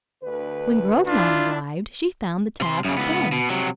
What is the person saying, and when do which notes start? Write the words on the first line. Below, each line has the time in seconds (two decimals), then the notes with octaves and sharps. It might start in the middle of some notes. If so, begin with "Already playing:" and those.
When Grognon arrived, she found the task done.
0.24 D2 D3 B4
1.07 D4 E4 F4
2.61 C3 C6
2.85 F#2 C#3
2.98 C#2 B3
3.32 B2
3.50 C3 F#3